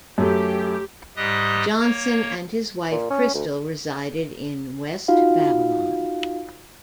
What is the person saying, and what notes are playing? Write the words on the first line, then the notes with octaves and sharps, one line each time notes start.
Johnson and his wife Christel resided in West Babylon.
F#2 A3 G4
G#2 G3 G4 D#5 D#6 F#6
A#3 C#5
A#2
C#4
D2
D#4 F4 F#4 F5